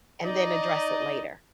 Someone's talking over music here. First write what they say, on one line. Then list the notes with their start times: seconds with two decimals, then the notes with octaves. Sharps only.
and then address it later.
0.23 D#4 D5 D#5